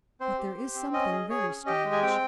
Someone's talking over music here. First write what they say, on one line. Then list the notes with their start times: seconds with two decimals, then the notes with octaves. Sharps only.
But there is something very strange.
0.20 C4 C5
0.39 G4
0.57 G4
0.75 C4
0.93 C#4 D#5
1.12 G#4
1.30 G#4 C#5
1.49 C#4
1.66 G4 D#5
1.85 G#3
1.92 G#5
2.03 C4 G5